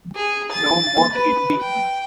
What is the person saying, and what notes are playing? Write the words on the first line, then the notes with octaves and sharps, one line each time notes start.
So mote it be.
G#4
A6
B4
G5